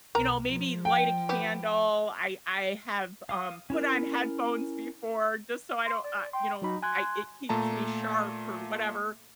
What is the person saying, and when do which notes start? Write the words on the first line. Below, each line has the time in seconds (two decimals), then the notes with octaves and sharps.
you know, maybe light a candle. I I have, um, put on headphones before, just so I don't, uh, you know, I it keeps me sharp or whatever
0.15 B1 A#4 A#5
0.49 F3
0.85 G5
1.29 B3 G4
3.29 F5 D#6
3.70 C#4 E4 A#4
5.86 C6
6.03 D5
6.33 G5 C6
6.62 F#3 D#4 F#4 B5
6.82 G#5 C6 F#6 G#6
7.49 A#2 A3 A5 A#5